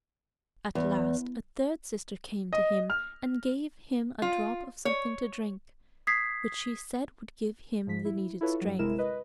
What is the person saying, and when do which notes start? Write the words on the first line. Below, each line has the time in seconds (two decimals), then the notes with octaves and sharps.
At last a third sister came to him and gave him a drop of something to drink, which she said would give him the needful strength.
0.75 E2
2.53 D#5
2.90 F6
4.22 F4
4.85 C#5
6.07 D#6 G#6 B6 C7
7.87 G#2 F3 B6
8.05 E4
8.41 E4 F4 A4 B4 C#5
8.61 G2 F#3
8.79 G1 C3 G#3 E4 A#4 E7
8.98 B4 D#5